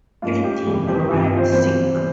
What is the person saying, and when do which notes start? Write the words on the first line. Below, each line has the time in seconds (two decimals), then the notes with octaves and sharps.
Fifteen arrived sick.
0.22 G#2 F3 A#3 C#4 F4
0.44 G4
0.66 F1 F2 E3 G3 A#3
0.87 G4
1.09 G2 F3 C4 F4
1.23 F4
1.37 C5
1.52 E2 C3 E3 A#3 E4 C5
1.95 C3 E3 G3 C4